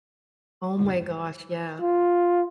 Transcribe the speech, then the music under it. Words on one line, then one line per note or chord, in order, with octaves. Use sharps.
Oh my gosh, yeah.
F4